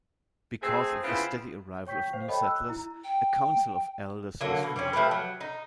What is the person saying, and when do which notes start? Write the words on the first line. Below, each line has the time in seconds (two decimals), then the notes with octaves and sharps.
Because of the steady arrival of new settlers, a council of elders was formed.
0.61 A3 C4 G#4
1.03 C#3 B3 C4 E4 F4
1.87 C#5 G5 C#6 G6 B6
2.13 C5 F5 C7
2.28 A4 C#5 D#5 G5 A5 B5
2.42 E6 F#6
2.69 E4 A#5
3.04 G5
4.41 D3 F#3 A#3 C#4
4.63 B2
4.76 G3 C4 C#4
4.93 F3 A3 G4 B4
5.11 F#3
5.41 D#4